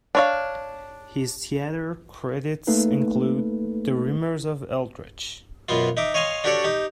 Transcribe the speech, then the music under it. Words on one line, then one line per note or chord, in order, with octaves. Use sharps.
His theatre credits include "The Rimers of Eldritch".
D4 C#5 F5
A3 A#3 D#4 A4 B4
F#2 B2 B3 F4
D#4 E5 D6
C#5 D#5 F5 G#5 C6
D4 F#4 G4 A4 C#5 D5
D#4 G4